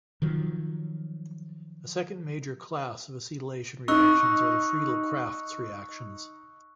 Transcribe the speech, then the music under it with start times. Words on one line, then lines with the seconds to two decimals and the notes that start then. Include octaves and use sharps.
A second major class of acetylation reactions are the Friedel-Crafts reactions.
0.22 D#3 F3 F#3
3.88 D#4 C#6 E6 F#6